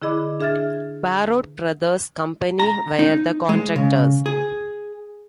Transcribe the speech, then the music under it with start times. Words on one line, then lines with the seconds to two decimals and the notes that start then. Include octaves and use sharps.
Parrott Brothers Company were the contractors.
0.02 D3 E4 G#4 D#5 B5 D6
0.40 D4 G#4 E5 F6 G#6 A6
2.59 A#5
2.99 D#4
3.49 G#3
3.76 C#3
4.26 G#4